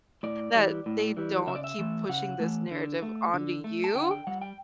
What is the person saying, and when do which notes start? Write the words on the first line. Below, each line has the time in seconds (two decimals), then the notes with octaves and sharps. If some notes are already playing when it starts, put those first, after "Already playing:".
that they don't keep pushing this narrative onto you
0.23 A2 D5
0.54 E3 G3
0.86 A2
1.17 E3 G3
1.47 C#3 E5
1.55 D5
1.64 E5
1.79 E3 A3
2.09 C#3 F#5
2.40 E3 A3
2.71 D3
3.02 A3
3.34 D3
3.64 A3
3.84 A5
3.95 D3 G5
4.03 F#5
4.11 G5
4.27 G3 F#5
4.42 G5